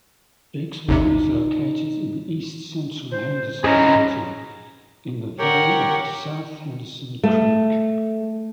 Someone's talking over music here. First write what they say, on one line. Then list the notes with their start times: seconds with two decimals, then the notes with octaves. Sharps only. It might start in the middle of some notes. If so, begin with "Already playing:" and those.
Biggsville is located in east-central Henderson County in the valley of South Henderson Creek.
0.89 G#1 D#2 C3 D#4
3.12 C5
3.64 G#2 E3 C#4 G#4 D#5 A#5
5.39 G4 A#4 C#5 F#5 G5
7.24 A3